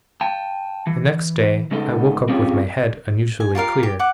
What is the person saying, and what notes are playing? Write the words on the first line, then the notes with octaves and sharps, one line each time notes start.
THE NEXT DAY I woke up with my head unusually clear.
G5 A5
E3
C#3 G#3 B3 D#4 A4
C4 C#4 F4 G4 G#4 C#5
G#5
F4 G4 A#4 F5
G4
F#5 D6